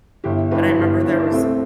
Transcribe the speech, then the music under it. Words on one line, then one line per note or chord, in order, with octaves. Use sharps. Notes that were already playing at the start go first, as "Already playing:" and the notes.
but I 'member there was
G1 E4 G4
G2 E3 G4 B4
G1
G2 E3 E4
D4
C2 A3 C4